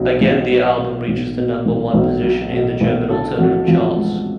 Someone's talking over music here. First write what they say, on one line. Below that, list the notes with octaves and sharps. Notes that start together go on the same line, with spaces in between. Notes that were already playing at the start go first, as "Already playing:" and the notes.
Again the album reaches the number one position in the German Alternative Charts.
Already playing: B1 B2
B1
F#3
B2
B1
B2
B1
B1
F#3
B2
B1
D3 A4
F2 F#4
F2 F4
G#3